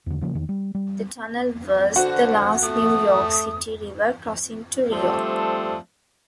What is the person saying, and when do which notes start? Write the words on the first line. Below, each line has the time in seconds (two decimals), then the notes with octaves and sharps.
The tunnel was the last New York City river crossing to reopen.
0.06 E2 D3
0.21 C#3 F3 G#3 A#3
0.35 E2 D#3
0.49 G3
0.75 G3
1.96 D3 F#4 C5
2.62 A3 D#6
4.91 F3 G3 A3 C4 D4 A4